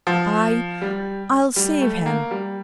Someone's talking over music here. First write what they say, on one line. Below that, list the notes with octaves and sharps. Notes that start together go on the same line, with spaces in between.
I... I'll save him.
F3
G3
G3
A3
A#3
G3